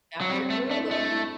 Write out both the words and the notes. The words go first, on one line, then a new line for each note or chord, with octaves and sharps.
After Google,
F#3
G3 C4
A3
A3 D4
E4
A3 D4
E4